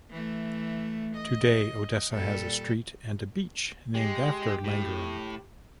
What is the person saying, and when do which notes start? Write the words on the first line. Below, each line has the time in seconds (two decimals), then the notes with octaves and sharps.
Today Odessa has a street and a beach named after Langeron.
0.10 E3 A3
1.16 D#5
2.12 A#2 G3 A4
3.95 G#3 G4
4.64 A2